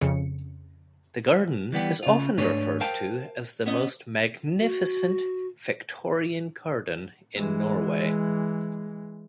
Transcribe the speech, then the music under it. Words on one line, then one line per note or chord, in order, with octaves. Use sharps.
The garden is often referred to as the most magnificent Victorian garden in Norway.
F2 C#3 C#7
E3 G3 B3 G4
C#3 F4
G#2 A3 D4 G#4 B4 C#5
A#4 C5 F5 G5 A5
B3 C#4 D#5
F#4
E3 G#3